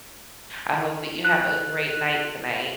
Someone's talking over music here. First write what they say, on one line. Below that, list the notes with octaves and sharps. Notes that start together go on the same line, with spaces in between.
I hope that you have a great night tonight.
F#6